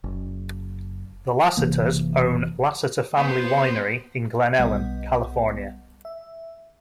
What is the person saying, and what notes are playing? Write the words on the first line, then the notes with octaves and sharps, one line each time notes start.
The Lasseters own Lasseter Family Winery in Glen Ellen, California.
F#1
F#1 C3 E3 A#3
B3 C5
B1 G3 B3 D#5 F#5
E5